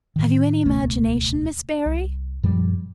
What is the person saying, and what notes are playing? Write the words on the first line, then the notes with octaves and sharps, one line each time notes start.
Have you any imagination, Miss Barry?
A2 D#3
D#1 C#2 B2 A3
C2
F#2 A#2 F3 G3